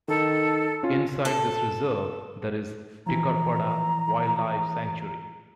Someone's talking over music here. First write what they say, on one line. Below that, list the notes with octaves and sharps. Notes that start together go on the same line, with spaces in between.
Inside this reserve there is Tikarapada Wildlife Sanctuary.
D#3 D#4 A4
C#4 F4
A4
E3 F3 A#5